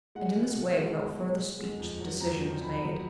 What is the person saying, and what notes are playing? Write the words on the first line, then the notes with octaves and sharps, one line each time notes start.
And in this way, without further speech, the decision was made.
G#3 F#5
B2
B2
G#3
G#3
B2
B2
G#3
F2
F#3
F2 A#5
D#3
F2 B5
F#3